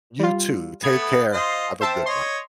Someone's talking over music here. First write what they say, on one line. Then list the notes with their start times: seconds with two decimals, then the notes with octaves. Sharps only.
You too, take care, have a good one.
0.19 G3 F4
0.83 A3 B3 G#6
1.33 F4 C5 D#5
1.81 C4 C5 E5 A5
2.06 C#5 D#5 C6